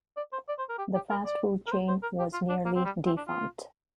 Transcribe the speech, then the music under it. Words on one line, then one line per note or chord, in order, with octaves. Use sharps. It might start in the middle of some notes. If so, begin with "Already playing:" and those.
The fast-food chain was nearly defunct.
D5
C5
D5
C5
A#4
G4
G4
A#4
D5
A#4
C5
C5
A#4
G4
F4
D4
A#3
C4
G3
C4
D4
F4